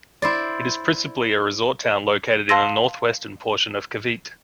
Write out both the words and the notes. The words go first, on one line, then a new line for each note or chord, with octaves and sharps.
It is principally a resort town located in the north-western portion of Cavite.
E4 C5 D5
F5 A5 C6 E6 A#6